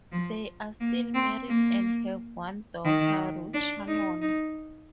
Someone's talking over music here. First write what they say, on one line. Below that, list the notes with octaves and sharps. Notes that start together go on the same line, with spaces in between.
They are still married and have one daughter, Ruth Shannon.
F3
A#3
C4
A#3
D#3
D4
D#4
D#4